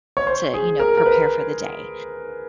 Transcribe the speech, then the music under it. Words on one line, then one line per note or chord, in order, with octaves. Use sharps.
to, you know, prepare for the day,
C#5
C5
G#4
A#4
A#4
B4